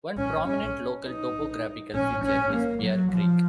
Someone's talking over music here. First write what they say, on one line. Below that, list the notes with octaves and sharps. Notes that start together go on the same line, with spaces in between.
One prominent local topographical feature is Bear Creek.
C#4
C#4
D#4
C#4
C#4
A#3
F#3
F3